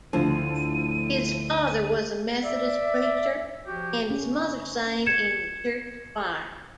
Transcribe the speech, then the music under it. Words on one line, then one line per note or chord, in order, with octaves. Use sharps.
His father was a Methodist preacher and his mother sang in the church choir.
D2 A2 D3 F3 F#4 C5 D#7
D5 E5
F3 F#4 G4
C#4
G#6 C#7 E7